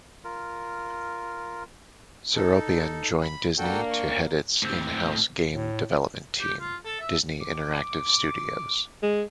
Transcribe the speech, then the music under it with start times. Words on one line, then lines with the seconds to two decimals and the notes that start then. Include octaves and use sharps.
Seropian joined Disney to head its in-house game development team, Disney Interactive Studios.
0.24 F4 A#4
2.35 D#4 A4
3.23 B5
3.58 A#3 D4 F#4 A4 G5
3.91 C#6
4.63 A2 C4
5.54 A2
6.41 G4
6.60 F4
6.85 A4
7.00 E5
7.41 D6
9.03 G#3